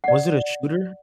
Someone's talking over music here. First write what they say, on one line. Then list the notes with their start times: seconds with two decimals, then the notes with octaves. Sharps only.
was it a shooter?
0.04 D5 F#5